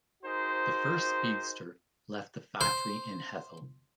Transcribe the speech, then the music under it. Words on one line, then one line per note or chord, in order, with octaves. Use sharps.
The first Speedster left the factory in Hethel.
D#4 F#4 G#4 A#4 C5
C5